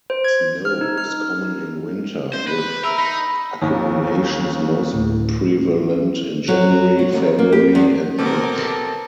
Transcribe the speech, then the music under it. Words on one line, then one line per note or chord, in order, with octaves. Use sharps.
Snow is common in winter, with accumulations most prevalent in January, February, and March.
C5
G#6
F6
D#4
F6
C5
B4
A#4 E5
D#4 B5
D#2
D2 A2
F#3
F#3
D#2
A#3
G4
E2
B2 C4 A4 A#4 D6